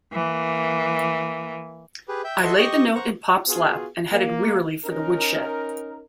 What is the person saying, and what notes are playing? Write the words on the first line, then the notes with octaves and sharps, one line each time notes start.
I laid the note in Pop's lap and headed wearily for the woodshed.
E3 A#3
G4 G#4 B4
E5 G5 G6
F#4 A4 D#5 E5 C6 C#6
G4 D#5 C#6 D#6
C5 F#5 A#5 C#6
B3 F4 F#4 G#4
A#3
C#4 D#4 A#4